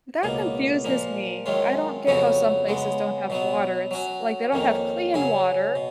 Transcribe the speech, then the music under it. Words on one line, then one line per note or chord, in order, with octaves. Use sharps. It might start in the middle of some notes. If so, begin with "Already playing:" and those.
That confuses me. I don't get how some places don't have water, it's like they don't have clean water,
C#2 B2 A#3
A#2 F3 A#3
F#2 D#3 G#3 C#4 F4
F2 C#3 F#3 B3 F#4
C#3 G#3 B3
B2 F#3 B3
F#3 C#4 F#4
F2 D#3 A#3 C#4
C#3 F#3 C#4 G#4
B2